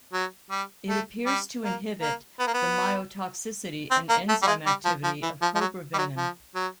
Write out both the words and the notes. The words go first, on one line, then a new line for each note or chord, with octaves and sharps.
It appears to inhibit the myotoxicity and enzyme activity of cobra venom.
F#3
G3
A3
G3
A#3
A#3
B3
A#3
B3
C4
A#3
A3
G3
G#3
G3
F3
F3
E3
F3
F3
F#3
G3
F#3
F3
F#3